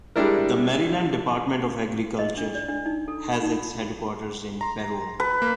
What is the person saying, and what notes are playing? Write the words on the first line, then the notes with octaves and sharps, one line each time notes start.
The Maryland Department of Agriculture has its headquarters in Parole.
G3 G#3 D4 E4 A#4
D#5
D4
D5
D4
D#4
A4
B5
D#4
A#5 C6
B4
A#3